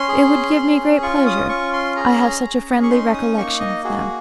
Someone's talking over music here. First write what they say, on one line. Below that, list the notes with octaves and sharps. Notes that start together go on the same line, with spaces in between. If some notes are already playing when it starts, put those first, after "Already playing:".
"It would give me great pleasure; I have such a friendly recollection of them."
Already playing: C#4 C6
G#4
C#4
F4 C#6
D#6
C#4 C#6
C6
G#4 A#5
C#4
C#6
D#4 C6
D#6
A#3 C#6
D#5
F#4 G#4